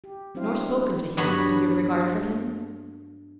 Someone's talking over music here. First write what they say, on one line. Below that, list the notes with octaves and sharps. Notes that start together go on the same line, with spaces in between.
"Nor spoken to him--of your regard for him?"
G4
F#3 C4 D4 E4 C5 F5
G#3
A3 G4 B4
G2 F#3 B3 C#5 F#5 B5